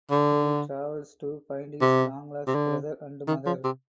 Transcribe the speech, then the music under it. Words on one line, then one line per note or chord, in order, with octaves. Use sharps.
He travels to find his long lost brother and mother.
D3
C3
C3
D3
D#3
F3
C3